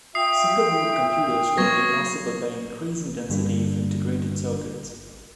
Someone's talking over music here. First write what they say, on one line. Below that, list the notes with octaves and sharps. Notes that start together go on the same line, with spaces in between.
Single board computers were made possible by increasing density of integrated circuits.
F4 E5 G5 D#6 C7
F#3 A#3 C4 C#6 G#6 A#6
G2 D3 G3 A#3 D4